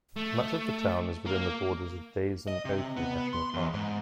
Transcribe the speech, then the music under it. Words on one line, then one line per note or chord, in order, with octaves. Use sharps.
Much of the town is within the borders of Daisen-Oki National Park.
A3
A#3
D#5
C3
B3
C6
E2
G#2